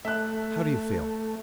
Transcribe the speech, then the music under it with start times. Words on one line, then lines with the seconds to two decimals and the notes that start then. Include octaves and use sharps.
"How do you feel?"
0.05 A3 E5 F#6